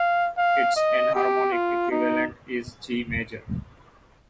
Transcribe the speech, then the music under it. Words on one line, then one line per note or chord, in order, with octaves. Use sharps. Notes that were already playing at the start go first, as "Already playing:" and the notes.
Its enharmonic equivalent is G major.
Already playing: F5
F5
D#5
G4
F4
D#4